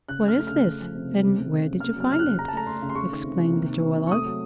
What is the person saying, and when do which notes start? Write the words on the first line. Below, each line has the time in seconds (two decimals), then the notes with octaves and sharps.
"What is this, and where did you find it?" exclaimed the jeweler.
0.09 C#3 F#6
0.23 A3 F6
0.37 A3
0.47 C#3 F6
0.67 A3
0.80 F3
0.95 C3
1.09 C3
1.24 C#3
1.38 A3
1.52 A3
1.66 C#3
1.80 A#3 F6
1.96 F#3 F6
2.10 C#3 F6
2.19 F#6
2.25 C#3
2.38 C#3 A#5
2.48 A5
2.53 A3 A#5
2.67 A3 C6
2.82 C#3
2.90 C6
2.95 A3 C#6
3.11 D#3
3.24 C3
3.39 C3
3.53 A#3
3.68 D#3
3.82 C3
3.97 C3
4.07 C#6
4.11 A3 D#6
4.25 F#3